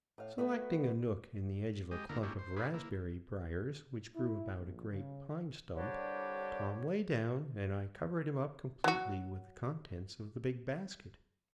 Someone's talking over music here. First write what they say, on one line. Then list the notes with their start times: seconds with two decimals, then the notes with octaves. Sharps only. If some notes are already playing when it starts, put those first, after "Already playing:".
Selecting a nook in the edge of a clump of raspberry briars which grew about a great pine-stump, Tom lay down, and I covered him up completely with the contents of the big basket.
0.18 A2 F5
0.38 A3 B3 F#4 B4
1.91 G#3 G4 D#5
2.09 D2 D3 A#3 E4 A#4
2.23 G#3 A#3 C#4 D4 E4 G4
2.39 C5
2.56 D4 G#4 B4 C5
2.74 A#3 E4
4.15 E4
4.57 A#1
4.91 C#3
5.75 C2 D3 G3 D4 G4 C#5
8.84 F#3 F#4